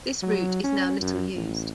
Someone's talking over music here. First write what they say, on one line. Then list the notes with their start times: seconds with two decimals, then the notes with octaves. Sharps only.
This route is now little used.
0.23 F#3
0.63 C#4
1.01 F#2
1.36 A1